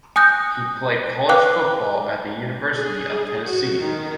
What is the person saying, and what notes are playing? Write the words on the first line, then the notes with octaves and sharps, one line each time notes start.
He played college football at the University of Tennessee.
G#5 D#6 F#6 G6 A#6
B4 F5 G5 D6 F#6
G#4
F#4
D#3